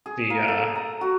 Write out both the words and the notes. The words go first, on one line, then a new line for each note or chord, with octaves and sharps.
the, uh
G#4
A#3
A4
A#5
F#4